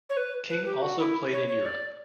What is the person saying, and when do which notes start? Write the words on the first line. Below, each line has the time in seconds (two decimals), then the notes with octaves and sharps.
King also played in Europe.
0.09 C#5
0.17 B4
0.50 B4
0.66 G4
0.82 F#4
0.99 E4
1.33 C#5
1.48 C#5
1.65 D5